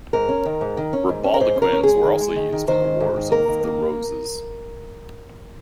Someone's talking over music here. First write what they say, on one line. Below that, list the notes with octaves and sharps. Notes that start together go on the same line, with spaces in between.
Ribauldequins were also used in the Wars of the Roses.
G#2 A#4
C#4
D#3
G#2
D#3
C#4
G#2
C#4
A#4
G#2 C5
C#4
A#4
C#4
G#3 G#4
D#3
G#3
D#3
D#3
D#3 C5
G#2
G#2
D#3
A#3 A#4
D#3
A#3